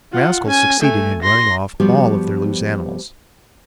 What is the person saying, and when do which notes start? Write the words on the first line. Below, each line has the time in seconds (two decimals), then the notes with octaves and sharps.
The rascals succeeded in running off all of their loose animals.
0.12 F4 F#5
0.46 C#4 G#5
0.80 A3 G#5
1.22 C6 A#6
1.80 F3 G3 B3 F#4 G4